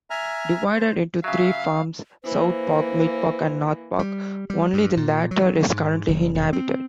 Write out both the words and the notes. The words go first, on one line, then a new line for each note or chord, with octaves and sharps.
Divided into three farms, Southpark, Midpark and Northpark, only the latter is currently inhabited.
E5 G#5 A#5 F6
C5
C#3 F#3 E5 F5
E3 A#3 C5
G3
G3
G2
A#2
F#3
G#2
F#1
E1
C4